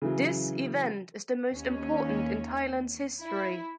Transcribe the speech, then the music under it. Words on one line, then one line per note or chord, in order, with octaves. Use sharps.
This event is the most important in Thailand’s history.
C#3 E3 F#3
D#2 C#4
E4